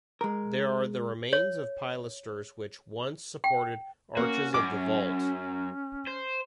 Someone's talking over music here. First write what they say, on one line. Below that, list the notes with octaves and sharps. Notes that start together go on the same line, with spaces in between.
There are the remains of pilasters which once supported arches of the vault.
G#3 A#4
C#5
G5
A#3 C#4 F#4
F#2 D6
C5